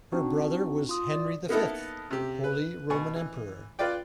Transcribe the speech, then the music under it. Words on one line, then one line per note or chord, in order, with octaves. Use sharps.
Her brother was Henry the Fifth, Holy Roman Emperor.
C4 D4 D#4 F#4
F4 D#6
D5
A#3 B3 D#4 E4 A4
C3 G4
B4
B2 G#5 C#6
E3
F4 B4 D5 G5